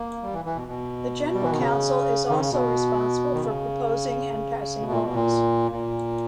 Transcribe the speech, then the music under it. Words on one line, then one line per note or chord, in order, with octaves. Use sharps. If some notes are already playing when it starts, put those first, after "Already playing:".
The General Council is also responsible for proposing and passing laws.
Already playing: A#3
G3
E3
E3
B2
B2
G3
E3
D#3
C#3
D#3
C#3
B2
D#3
C#3
B2
A#2
B2
A#2
A#2